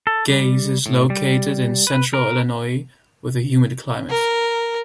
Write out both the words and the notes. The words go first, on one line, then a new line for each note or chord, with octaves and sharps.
Gays is located in Central Illinois, with a humid climate.
A4
G3
A2
G3
B4
A#4
A#4